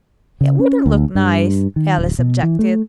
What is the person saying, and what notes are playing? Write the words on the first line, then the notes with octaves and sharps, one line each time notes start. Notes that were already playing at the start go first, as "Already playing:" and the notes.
'It wouldn't look nice,' Alice objected.
C#3
C#4
D2
G2
D#3
D1
B2
E3
A3